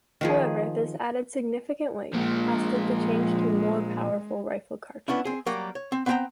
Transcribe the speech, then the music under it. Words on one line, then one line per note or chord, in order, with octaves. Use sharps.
However, this added significant weight, as did the change to more powerful rifle cartridges.
D#3 F3 G#4
A#2 F3 G#3
B3 C#4 D4 E4
C4 G#4
F#3 G3 A#3 A#4
C#5
C4
B3 C4 C5 E5 G5 A#5